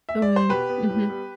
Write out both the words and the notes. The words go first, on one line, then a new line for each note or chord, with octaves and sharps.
Mm, mhm.
E5
D5
C5
B2 G4 B4
B3
A2
G3 B3